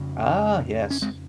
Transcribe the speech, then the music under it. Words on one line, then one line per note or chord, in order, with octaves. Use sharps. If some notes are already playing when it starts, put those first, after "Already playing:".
Ah, yes.
Already playing: F2 C#3
C#4
G#3 C4